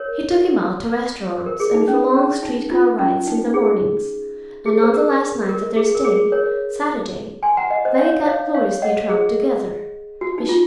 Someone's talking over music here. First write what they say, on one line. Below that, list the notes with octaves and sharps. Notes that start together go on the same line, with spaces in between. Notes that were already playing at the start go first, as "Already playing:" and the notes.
He took him out to restaurants and for long street-car rides in the mornings, and on the last night of their stay, Saturday, they got gloriously drunk together--Mr.
Already playing: A#4 C#5
C5
A#4
G#4
D#4
C#4
C#4
D#4
F4
C#4
D#4
G#4
G#4
C5
A#4
A#4
G#4
A#4
G#4
A#4 C#5
G#5 C6
F#5 A#5
D#5 F#5
C5 D#5
C#5 F5
C#5 F5
C#5 F5
D#5 F#5
G#4
F#4
D#4
F4